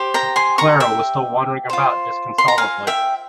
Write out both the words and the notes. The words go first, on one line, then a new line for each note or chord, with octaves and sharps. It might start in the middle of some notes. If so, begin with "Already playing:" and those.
Clara was still wandering about disconsolately.
Already playing: G4 C5
G5 A#5
G#5 C6
A#5 C#6
E5 G5
F4 C5
C6
A#5
F5 G#5
E5 G5